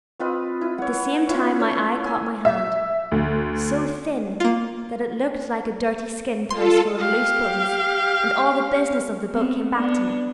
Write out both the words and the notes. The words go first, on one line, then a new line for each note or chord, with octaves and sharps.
At the same time my eye caught my hand, so thin that it looked like a dirty skin-purse full of loose bones, and all the business of the boat came back to me.
C4 F4 B4 D#5
E4
C#5 F#5
C#4 E4 F4
C#5 E5
G#5 E6
E5
D2
A#3 F4
F4 A4 C6
G4 F5
B3 C4
B3 D4